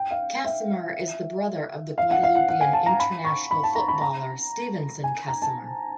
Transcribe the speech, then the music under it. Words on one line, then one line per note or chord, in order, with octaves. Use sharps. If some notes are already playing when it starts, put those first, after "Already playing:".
Casimir is the brother of the Guadeloupean international footballer Stevenson Casimir.
Already playing: G5
F5
E5
F5
F#5
F5
F#5
F#5
G#5
A5
A#5
B5
C#6
B5
A5
A#5
B5
A#5
G#5
A#5
A5